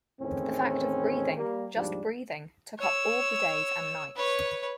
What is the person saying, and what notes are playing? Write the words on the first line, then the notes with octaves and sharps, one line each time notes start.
The fact of breathing, just breathing, took up all the days and nights.
E2 A2 D#3 C4 C#4
G3 A#3
D#2 G#2 F3 G3 D4
C#5 E6
B4 C#5